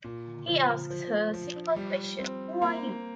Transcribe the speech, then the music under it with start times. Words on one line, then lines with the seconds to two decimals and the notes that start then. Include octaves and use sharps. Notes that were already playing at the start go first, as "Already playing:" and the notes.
He asks her a simple question: Who are you?
0.04 A#2
0.47 F3
0.90 F3
1.33 F3
1.76 G3
2.19 C4
2.62 A#3